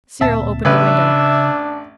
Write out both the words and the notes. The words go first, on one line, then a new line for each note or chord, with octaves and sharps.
Cyril opened the window.
D1 A#2 C4 E5 A5
A1 C#3 D4 B4 E5